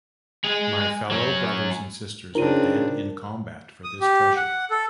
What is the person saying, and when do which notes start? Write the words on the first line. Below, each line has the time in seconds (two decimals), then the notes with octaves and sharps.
My fellow brothers and sisters are dead in combat for this treasure.
0.44 G#3 G#4
1.11 F#3 C#4
2.35 C#3 C4 D4 D#4 F4 A#4 D#7
3.84 D#6
4.01 G4
4.36 F#5
4.70 A4